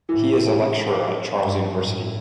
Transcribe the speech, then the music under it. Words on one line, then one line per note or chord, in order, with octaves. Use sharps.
He is a lecturer at Charles University.
A2 E3
G2
A2